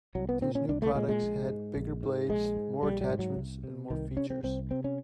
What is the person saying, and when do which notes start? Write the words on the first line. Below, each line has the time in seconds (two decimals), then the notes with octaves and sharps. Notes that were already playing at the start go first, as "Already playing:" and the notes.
These new products had bigger blades, more attachments, and more features.
0.15 C2 F#3
0.29 B3
0.41 A#2 C4
0.55 C#4
0.69 C2 D4
0.82 A3
0.95 A#2 G#3
1.09 G#3
1.22 A#1
1.49 G#2
1.76 A#1
2.03 G#2
2.29 A#1 G#3
2.57 G#2
2.83 A#1 G3
3.01 G3
3.09 G#2
3.19 F#3
3.36 C2
3.64 C3
3.90 C2 D#3
4.17 C3 C#4
4.30 C4
4.43 C2 C4
4.71 C3 C4
4.84 C#4